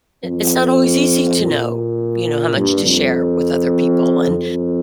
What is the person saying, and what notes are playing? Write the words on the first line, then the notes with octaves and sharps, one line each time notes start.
i it's not always easy to know, you know, how much to share with other people and,
F2
A#2
G2
F2
F2